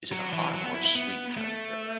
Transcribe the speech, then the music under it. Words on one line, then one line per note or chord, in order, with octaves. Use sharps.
Is it a hot or a sweet type of pepper?
F#3
E3
F#3
B3
E4
E4
B3
A3